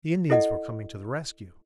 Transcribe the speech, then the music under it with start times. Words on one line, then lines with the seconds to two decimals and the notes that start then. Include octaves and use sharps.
The Indians were coming to the rescue!
0.30 E4 A4 D#5 F#5